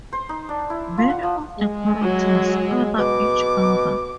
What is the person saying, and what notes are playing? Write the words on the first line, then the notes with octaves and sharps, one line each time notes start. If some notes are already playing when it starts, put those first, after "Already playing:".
Many of the characters "other" each other.
C5
D#4
D4
E4
F4
F#5
F3
G#3
F#3
B2 D6